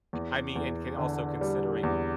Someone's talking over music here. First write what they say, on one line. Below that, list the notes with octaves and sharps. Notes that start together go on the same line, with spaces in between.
I mean and can also considering
E2
E2
D3
G3
E2